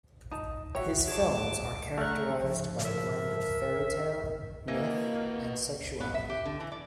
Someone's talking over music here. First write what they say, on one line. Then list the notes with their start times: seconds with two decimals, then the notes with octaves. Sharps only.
His films are characterised by a blend of fairy-tale, myth and sexuality.
0.31 D#4 A5
0.75 F#4 C#5 E5 G5
1.08 G#4 C#5 A5 D6
1.98 A3 A#5 C#6 F6 F#6
2.40 G#2 C#3 F3
2.85 A#4 E5
4.68 E3 A#3 B4 D#5
6.00 B3
6.14 E5
6.30 G4
6.45 D3
6.60 E3
6.72 D5